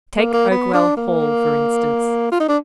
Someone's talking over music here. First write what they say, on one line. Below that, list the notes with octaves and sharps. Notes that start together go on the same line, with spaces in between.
Take Oakwell Hall, for instance.
A#3
A#3
B3
D4
A#3
F4
D#4
D4